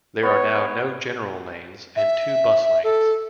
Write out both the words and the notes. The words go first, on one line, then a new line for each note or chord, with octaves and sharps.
There are now no general lanes, and two bus lanes.
B3 C#5
E5
A4